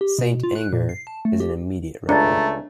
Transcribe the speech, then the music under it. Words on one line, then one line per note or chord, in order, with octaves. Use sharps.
"St. Anger" is an immediate record.
G4
B2
F4
F#6
A#2
C7
A5
A3
G4
C#2 A3 D4 A#5 A6